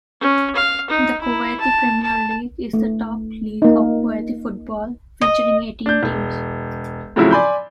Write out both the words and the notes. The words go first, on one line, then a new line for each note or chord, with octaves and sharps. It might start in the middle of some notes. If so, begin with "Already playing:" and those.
The Kuwaiti Premier League is the top league of Kuwaiti football, featuring eighteen teams.
C#4
F5
D#4
E4
A5
A5
A3
A#3 D#4
D#5
D4 G6
E1
A2 C#3 F3 F#3 C4 E4
D5 G#5 B5 C6 G6